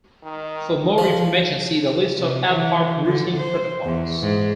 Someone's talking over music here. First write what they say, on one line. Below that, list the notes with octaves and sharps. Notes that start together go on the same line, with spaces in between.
For more information see the list of ad hoc routing protocols.
D#3
F3
C3
E3
D3
C5
E2
G#2